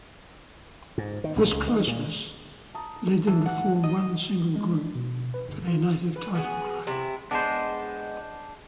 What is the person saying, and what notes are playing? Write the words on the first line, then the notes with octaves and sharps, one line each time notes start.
This closeness led them to form one single group for their native title claim.
G#2
D#3
A#1
C#2
D#3
A#2
A5 A#5 D#6
A2 D#3 E3 A5
F#5
D#5
G#3
D4
B2
B4
G1
F4
B4
B3 F#4 G#4
C3 E4
G#3 B3 D4 C5